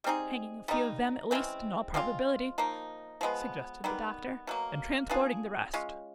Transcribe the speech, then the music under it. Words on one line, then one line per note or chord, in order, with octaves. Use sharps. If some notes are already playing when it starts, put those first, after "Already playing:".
'Hanging a few of them at least, in all probability,' suggested the doctor, 'and transporting the rest.'
G3 C4 D#4 G#4
G3 A#3 D#4
C#3 E3 G#3 C4
F3 G#3 C4 F4
F3 A#3 D#4
F3 G#3 B3
D#3 G3 B3
B2 F#3 A#3
B3 D4 F4 G#4
G#3 C#4 F4